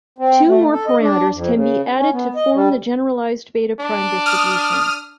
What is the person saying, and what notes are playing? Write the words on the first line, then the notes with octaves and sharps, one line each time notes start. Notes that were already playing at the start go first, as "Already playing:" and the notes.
Two more parameters can be added to form the generalized beta prime distribution.
C4
A3
A4
D#5
D4
F2
C#3
C#4
B3
D#5
G3
D4
D#6 F6